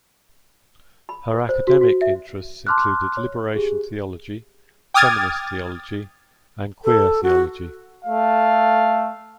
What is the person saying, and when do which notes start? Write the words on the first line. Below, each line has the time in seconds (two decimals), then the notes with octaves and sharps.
Her academic interests included liberation theology, feminist theology and queer theology.
1.09 B5
1.34 B4
1.49 C5
1.67 F#4
1.81 F#4
2.01 E5
2.67 A5 C6 D6 F6 F#6
3.17 C#5
3.56 G4 G#4
4.94 G5 D6 D#6 F6 G#6 A6
6.84 A4
7.23 F#4
8.05 A3 A4 F5